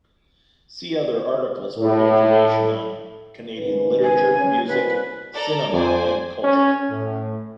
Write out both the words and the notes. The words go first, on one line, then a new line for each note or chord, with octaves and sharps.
See other articles for information on Canadian literature, music, cinema and culture.
A2
G#1 C#3 B4
G#5
C#4
C2 B4
A4 D5 A#5
F2 C5 D5 G#5
C#4
A2